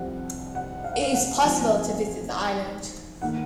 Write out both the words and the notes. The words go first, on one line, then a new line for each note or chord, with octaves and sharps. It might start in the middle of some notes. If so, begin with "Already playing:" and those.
It is possible to visit the island.
Already playing: C2 C3 F3 C4 F#5
F#5
F5
F#5
F5
F#5
G#2 F3 C4 G#5
D#3 A#3 F#5